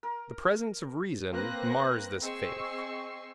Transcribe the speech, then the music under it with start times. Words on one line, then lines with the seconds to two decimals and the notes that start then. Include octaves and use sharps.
The presence of Reason mars this faith.
0.03 A#4
1.31 A#3 C4 B4 F#6 A#6
2.21 C4 G#4 D#5 C#6 E6 C7